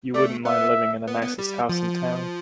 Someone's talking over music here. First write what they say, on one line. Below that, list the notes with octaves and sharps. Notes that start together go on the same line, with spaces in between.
You wouldn't mind living in the nicest house in town.
A3 D5
B3 E5
B3
B3
G3
F3